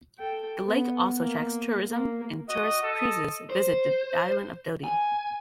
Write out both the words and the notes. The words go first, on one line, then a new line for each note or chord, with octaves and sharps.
The lake also attracts tourism, and tourist cruises visit the island of Dodi.
A4 G5
B3
A#3
A#3
F#4 D#5
A4 D#5 D#6
C5
G#5